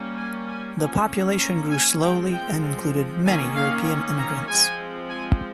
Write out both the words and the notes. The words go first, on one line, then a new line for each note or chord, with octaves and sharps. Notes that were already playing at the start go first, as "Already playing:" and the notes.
The population grew slowly and included many European immigrants.
Already playing: G3 A#3 C#4
G#5
G#5
F3 A#3 C#4 G#5
A#5
G#5
F3 G#3 C4 G5
G5
D#3 A#3 C#4 G#5
F5
A#5
F3 G#3 C4 G#5
G#5